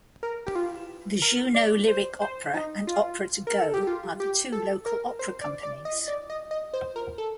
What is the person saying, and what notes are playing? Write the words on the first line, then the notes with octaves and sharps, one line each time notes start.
The Juneau Lyric Opera and Opera to Go are the two local opera companies.
A#4
G4
F4
A#4
D5
C5
C5
D#4
F4
A#4
A4
G4
F4
G4
A4
A#4
C5
D5
D5
D#5
D5
D#5
D#5
C5
A#4
A4